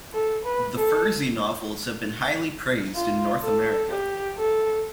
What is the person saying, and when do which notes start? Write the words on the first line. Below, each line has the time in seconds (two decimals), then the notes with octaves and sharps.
The Fursey novels have been highly praised in North America.
0.14 A4
0.45 B4
0.77 A4
2.96 F4
3.43 A4
3.90 G4
4.38 A4